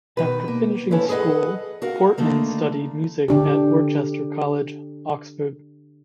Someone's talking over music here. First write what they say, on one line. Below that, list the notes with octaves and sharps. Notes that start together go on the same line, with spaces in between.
After finishing school, Portman studied Music at Worcester College, Oxford.
B2 D#3 B4
A#3
F3 C#4 E4 A4 B4 C#5
G#4 A4 B4 D#5 F#5
F#4 A#4 F5 F#5
D3 D#3 A3 A#3
D3 D4 G4